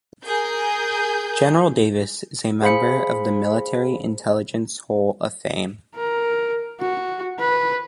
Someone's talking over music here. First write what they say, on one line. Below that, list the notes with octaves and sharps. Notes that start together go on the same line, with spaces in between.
General Davis is a member of the Military Intelligence Hall of Fame.
G#4 A#4 G6
G#4 C5 F5 B5 C#7
A#4
F#4
B4